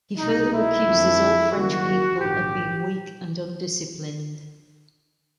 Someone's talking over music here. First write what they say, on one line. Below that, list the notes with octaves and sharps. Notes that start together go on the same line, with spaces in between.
He further accuses all French people of being weak and undisciplined.
C2 B2 G#3 D#4
E4
F2 D3 F3 A3
F#1 F#2 D#3 G3 A#3 F#4
A#1 G#2 D#3 G4